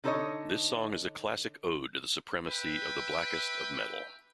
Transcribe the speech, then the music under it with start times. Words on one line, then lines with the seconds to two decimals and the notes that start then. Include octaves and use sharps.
This song is a classic ode to the supremacy of the blackest of Metal.
0.04 D3 D#4 A4 C5 C#5 D#5
2.47 B4 E5 G5